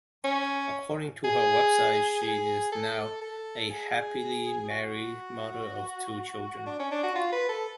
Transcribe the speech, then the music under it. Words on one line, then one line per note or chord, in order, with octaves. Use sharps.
According to her website, she is now a happily married mother of two children.
C#4
G#4
G#4
A4
A4
G#4
F#4
D4
C#4
D4
F#4
F4
B4
A4